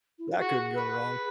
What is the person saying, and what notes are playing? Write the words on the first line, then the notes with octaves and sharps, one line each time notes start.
That couldn't go wrong.
E4
F#4
F#4 G#4
B4